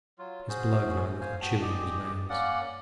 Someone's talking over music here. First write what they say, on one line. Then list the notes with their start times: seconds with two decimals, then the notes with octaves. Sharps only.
His blood ran a little chilly in his veins.
0.19 F#3 F4
0.49 C#4 F#4 G#4 C5
1.21 C5 F5 G#5
1.41 B3 F#4 G5 A5
1.62 G4 G#4 D5 D#5
2.29 A#3 C#4 D5 F#5